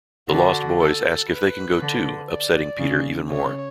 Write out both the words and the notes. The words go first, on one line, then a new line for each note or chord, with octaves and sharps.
The Lost Boys ask if they can go too, upsetting Peter even more.
D3 F#4
A4
B4
D3
D5
C#3
C#3 C#5